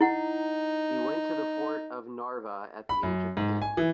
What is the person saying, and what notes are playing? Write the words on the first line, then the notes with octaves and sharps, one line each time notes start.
He went to the fort of Narva at the age of ten.
D#4 E4 F#5
B5
F#2
G#2
G#5
E3